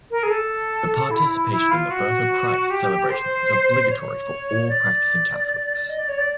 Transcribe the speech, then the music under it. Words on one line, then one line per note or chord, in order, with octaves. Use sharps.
The participation in the Birth of Christ celebrations is obligatory for all practicing Catholics.
A#4
G#4
A4
E4
E4
F4
F#4
G4
C5
C#5
D5
D#5
D5
C#5
D5